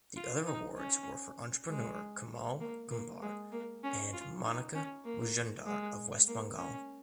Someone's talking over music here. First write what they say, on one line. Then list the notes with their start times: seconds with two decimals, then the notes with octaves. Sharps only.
The other awards were for entrepreneur Kamal Kumbhar and Monika Majumdar of West Bengal.
0.16 F4
0.46 D#4
0.78 C#4
1.69 G#3
2.61 A#3
2.91 A#3
3.22 G#3
3.52 A#3
3.83 C#4
4.13 F4
4.45 D#4
4.75 C#4
5.05 A#3
5.66 G#3
6.28 A#3
6.58 C#4